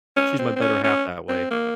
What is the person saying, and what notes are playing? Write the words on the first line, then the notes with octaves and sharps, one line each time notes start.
she's my better half that way.
C#4
C4
C4
C#4
C#4
C4
A#3